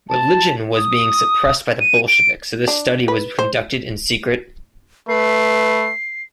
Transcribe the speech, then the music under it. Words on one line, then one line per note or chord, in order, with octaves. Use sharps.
Religion was being suppressed by the Bolsheviks, so this study was conducted in secret.
A5
D#6
D#7
D7
D4
B4
C5
A3 B4 C7